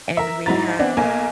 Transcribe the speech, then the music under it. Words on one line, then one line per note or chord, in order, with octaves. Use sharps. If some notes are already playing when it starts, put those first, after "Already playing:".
and we have
A#4 E5
G#2 F#3 E4 A#5 A6
B3 C4 D4
B1 A#3 G#5